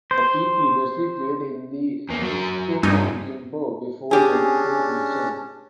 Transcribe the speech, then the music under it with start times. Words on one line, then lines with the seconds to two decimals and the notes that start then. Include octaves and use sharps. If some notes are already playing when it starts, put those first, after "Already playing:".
The team previously played in Iksan and Gimpo before moving to Ansan.
0.11 C5
2.09 E2 A#3
2.22 F#3 A#4
2.83 G2 C3 F3 D#4 G#5
4.11 C#4 D4 G4 G#4